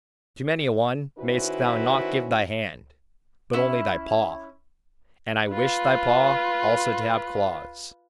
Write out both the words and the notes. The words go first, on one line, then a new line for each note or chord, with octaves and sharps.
To many a one mayest thou not give thy hand, but only thy paw; and I wish thy paw also to have claws.
D#3 C#4 E4 F#4 B4 C5
C#4 E4
F4 B4